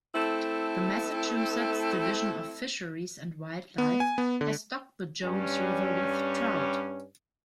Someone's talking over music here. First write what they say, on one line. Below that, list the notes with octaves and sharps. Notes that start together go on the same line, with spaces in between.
The Massachusetts Division of Fisheries and Wildlife has stocked the Jones River with trout.
A3 C4 E4 A4
B3
G#5
B3
D3
G2 G3 C#4